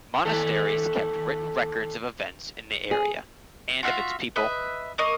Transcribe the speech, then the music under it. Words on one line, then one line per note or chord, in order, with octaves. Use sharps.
Monasteries kept written records of events in the area and of its people.
D#2 A3 A4
G#4
F4 F#4 E5 F5
B4 D#5 E5
A#3 A#4 D#5 C#6